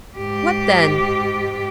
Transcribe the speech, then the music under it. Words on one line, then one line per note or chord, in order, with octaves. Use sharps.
What then?
G#2 G4